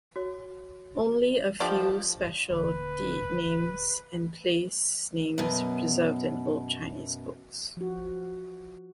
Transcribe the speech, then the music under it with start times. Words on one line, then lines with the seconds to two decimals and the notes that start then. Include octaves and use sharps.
Only a few special Di names and place names preserved in old Chinese books.
0.16 F#4 C#5
1.60 D3 F3 G4 D5 D#5
2.50 D#1 D3 B4
5.38 F#2 B2
7.77 F3 F#4